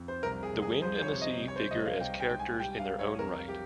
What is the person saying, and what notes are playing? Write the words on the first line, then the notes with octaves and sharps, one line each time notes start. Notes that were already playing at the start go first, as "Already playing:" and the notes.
The wind and the sea figure as characters in their own right.
Already playing: F2
C5
C2 A#4
G#4
C2
G#4
F3 C5
C5
C#5
C3
D#5
C2
C#5
C5
C2 D#5
F5
C2 G5
G5
G#3
G#5
G3 G5
F5
G3
C#5
F2 A#4
G3 G4